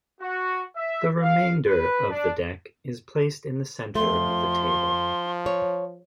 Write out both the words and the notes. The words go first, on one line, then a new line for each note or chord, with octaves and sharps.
The remainder of the deck is placed in the centre of the table.
F#4
E5
F5
B4
D4
F2 F3 A3 C6
C#5